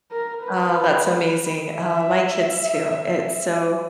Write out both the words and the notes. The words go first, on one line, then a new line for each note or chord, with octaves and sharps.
Oh, that's amazing, oh, my kids too, it's so
A#4
B4
E5